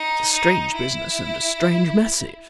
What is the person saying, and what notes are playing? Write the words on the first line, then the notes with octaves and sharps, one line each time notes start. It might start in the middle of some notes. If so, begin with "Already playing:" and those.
It's a strange business and a strange message.
Already playing: D#4
D#4
E4